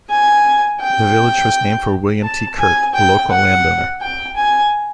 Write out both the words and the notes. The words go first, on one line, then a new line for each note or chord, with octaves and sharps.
The village was named for William T. Kirk, a local landowner.
G#5
G5
A5
G#5
G5
F#5
G5
G#5